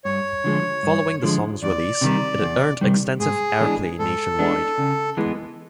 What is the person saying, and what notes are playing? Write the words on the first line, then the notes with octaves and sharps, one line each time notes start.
Following the song's release, it earned extensive airplay nationwide.
G2 C#5
D3 F3 G#3
G2
D3 F3 G#3
E2 D5
C3 D#3 G3
E2
C3 D#3 G3
G#2 G#4
E3 G#3 B3 D4
G#2 A4
E3 G#3 B3 D4
C#3
E3 G#3 B3